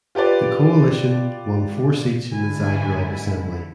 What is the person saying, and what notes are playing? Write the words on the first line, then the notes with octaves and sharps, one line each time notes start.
The coalition won four seats in the Zagreb Assembly.
F4 G4 B4 D5
D3 E4 G#5
G#2